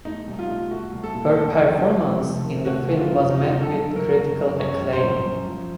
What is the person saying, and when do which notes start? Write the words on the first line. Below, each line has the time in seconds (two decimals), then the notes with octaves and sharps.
Her performance in the film was met with critical acclaim.
0.05 A3 D#4
0.27 C2
0.39 F4
0.49 A3
0.71 A3 F#4
0.93 C2
1.04 A4
1.14 A#2
1.35 A3 A4
1.57 F2
1.79 F2
2.00 F2
2.23 A3
2.44 D#3
2.65 A3 F#4
2.87 F3
2.98 F4
3.08 F#2
3.30 F#2 D#4
3.40 F4
3.48 F#2 D#4
3.63 A4
3.73 F#2
3.95 F#3 A#4
4.17 F#2
4.39 F#2
4.60 F#2 C#5
4.82 F#2
4.93 C5
5.03 F#3
5.26 F#2
5.47 F3